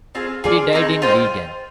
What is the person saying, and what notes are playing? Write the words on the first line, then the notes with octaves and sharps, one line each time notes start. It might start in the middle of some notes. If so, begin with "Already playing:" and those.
He died in Leiden.
C4 F4 G#4
F4 G#4 D5
C4 D#4 G#4
F4 C5 D#5 G5